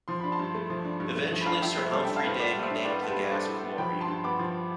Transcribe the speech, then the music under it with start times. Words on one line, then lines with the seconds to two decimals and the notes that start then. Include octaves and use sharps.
Eventually, Sir Humphry Davy named the gas chlorine.
0.08 F3 C6
0.20 D4 B5
0.32 A5 C6
0.39 G2
0.54 A3
0.70 F3
0.85 D4
1.00 G2
1.16 A3
1.32 F3
1.41 B5
1.46 D4 F5 A5
1.62 G2 E5 G5
1.78 A3 C5 E5
1.92 G3 A4 C5
2.04 E5 G5
2.08 D4
2.16 F5 A5
2.24 A2 A4 B4 C5
2.39 B3 B4 D5
2.55 G3
2.63 C5 E5
2.70 D4
2.85 A2 B4 D5
3.01 B3 A4
3.08 G4 B4
3.17 G3
3.31 D4 A4 C5
3.46 A2
3.62 B3
3.78 F3 G5 B5
3.93 G2
4.01 A5 C6
4.08 G2
4.24 B3 B5 D6
4.39 F3